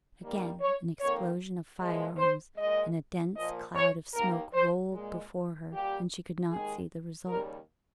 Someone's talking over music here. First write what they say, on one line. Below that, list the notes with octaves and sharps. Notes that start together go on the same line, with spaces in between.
Again an explosion of firearms and a dense cloud of smoke rolled before her and she could not see the result.
D#2 D#3 G3 A#3
C#5
F2 D#3 A#3 C#5
A#2 F3 G#3
C5
A#2 G#3 D#5
A#2 F3 A#3 D#5
C#5
D#2 D#3 A#3 A#4
C5
A#2 G#3
A#2 G3 A#3 G4
D#2 D#3 G#3 G#4
D#2 C#3 G3 A#4